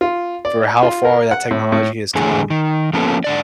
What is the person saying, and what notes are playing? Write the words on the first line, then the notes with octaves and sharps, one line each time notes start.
for how far that technology has come,
F4
D5
F4
A#4
F#5
A2
A2
E2 A2 D3 G#4
D#3
F3 A#3 B3 C#4 A4
G#2 D3 D5